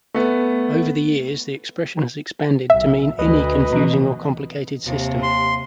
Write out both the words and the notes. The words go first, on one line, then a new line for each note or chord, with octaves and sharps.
Over the years, the expression has expanded to mean any confusing or complicated system.
A3 B3
B1 E5
D2 B4 D#5
B2 E3 F3 C4
D#2 C3
C6